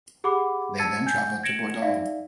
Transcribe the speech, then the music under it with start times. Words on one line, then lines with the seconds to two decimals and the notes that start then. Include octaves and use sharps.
They then travelled to Bordeaux.
0.24 G4 G#4 F#5 B5 D6
0.78 A5 E6 G#6 A6 C#7 D#7
1.06 G#5 G6
1.43 G#6 A#6 C#7 D7 E7 F#7
1.82 D#4 D5 E5 F5